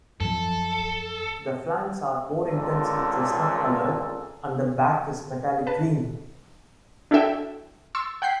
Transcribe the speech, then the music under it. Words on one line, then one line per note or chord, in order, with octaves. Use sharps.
The flanks are more intensely chestnut colored and the back is metallic green.
F#2 F3 A4
G#1 C#2 A#2 A4
B4 A5
D4 E4 F#4 A4 E5 G5
C6 C#6 E6 A6
F#5 G5 G6 B6 C7